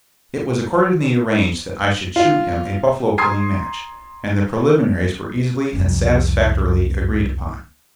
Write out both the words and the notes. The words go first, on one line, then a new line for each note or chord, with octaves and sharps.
It was accordingly arranged that I should shoot him a buffalo-killing match, and the preliminaries were easily and satisfactorily agreed upon.
F4
A#5 C6 D#6 G#6 C7
C2 F2